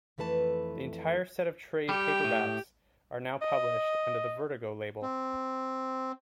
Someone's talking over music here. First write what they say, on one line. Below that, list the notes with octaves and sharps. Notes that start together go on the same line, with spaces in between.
The entire set of trade paperbacks are now published under the Vertigo label.
F2 E3 A3 B4 A5
G3 G4
A2
D#5
C4